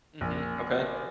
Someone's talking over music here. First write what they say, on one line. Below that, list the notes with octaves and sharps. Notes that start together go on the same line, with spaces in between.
Mhm. Okay.
A#1